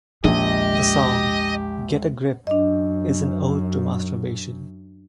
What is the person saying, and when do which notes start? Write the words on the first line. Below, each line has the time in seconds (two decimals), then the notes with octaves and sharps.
The song "Get a Grip" is an ode to masturbation.
0.24 A#1 E2 G#3 G4 D#5
2.47 F#2 D4 D#5